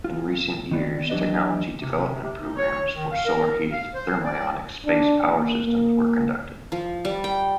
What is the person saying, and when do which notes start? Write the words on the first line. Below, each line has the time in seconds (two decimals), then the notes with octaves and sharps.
In recent years technology development programs for solar-heated thermionic space power systems were conducted.
0.04 F4
0.71 D#3 B3 D5
1.10 E3 F#3 D4 G4 B4 D#5
1.81 C3
2.22 C3
2.40 D#4
2.57 C#5
2.95 D#3
3.12 F5
3.25 A#4
3.72 F5
3.95 C5
4.25 D5
4.87 D4
5.30 A#3
5.64 A#3
6.72 F3
7.05 G3
7.24 G5